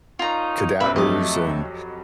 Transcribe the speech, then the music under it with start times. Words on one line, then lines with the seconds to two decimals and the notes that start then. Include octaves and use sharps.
cadavers and
0.19 A#2 C#4 D#4 F4 A#5
0.80 B1 F#2 C3 B4 E5
0.96 F2 F#3 A3 G4 D#5 D6